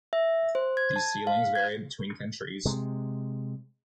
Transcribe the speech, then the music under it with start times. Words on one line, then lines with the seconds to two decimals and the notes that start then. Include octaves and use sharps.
These ceilings vary between countries.
0.13 E5
0.55 C5
0.77 G#6
0.96 A5
1.27 F5
1.55 G#6
2.65 C3 G#3